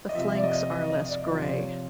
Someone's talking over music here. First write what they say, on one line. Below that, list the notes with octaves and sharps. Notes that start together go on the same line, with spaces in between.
The flanks are less grey.
D#5
C3 F3 E5
D5
D#5
D#5
D#5
D#5
D5
D#5
C3 F3 D5
D5
C#5